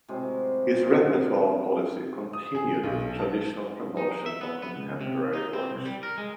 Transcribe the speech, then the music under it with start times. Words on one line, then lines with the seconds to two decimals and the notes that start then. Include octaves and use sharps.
His repertoire policy continued the traditional promotion of contemporary works.
0.08 A2 C3 F#3 G#3
2.33 D#6
2.55 G#4
2.83 B1
3.19 A5
3.97 D#4
4.26 E5
4.41 B3
4.62 B3
4.76 C#2
5.01 C3
5.33 D#4
5.53 C4
5.71 C2
5.86 G3
6.03 A#4
6.18 G#3